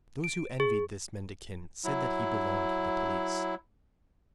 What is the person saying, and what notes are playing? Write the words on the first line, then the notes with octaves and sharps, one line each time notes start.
Those who envied this mendicant said that he belonged to the police.
D7
G#4
F#3 E4